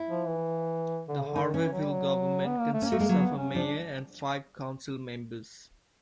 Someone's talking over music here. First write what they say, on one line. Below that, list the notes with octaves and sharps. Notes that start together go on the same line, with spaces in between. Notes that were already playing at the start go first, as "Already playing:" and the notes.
The Harveyville government consists of a mayor and five council members.
Already playing: E4
F3
E3
D3
C#3
D3
D#3 D#4
E3 C#4
F#3
G3
F#3
B3
A#3
A3
C#4
A#3
A3
G#3
F#3
B3
C#4
F3 D4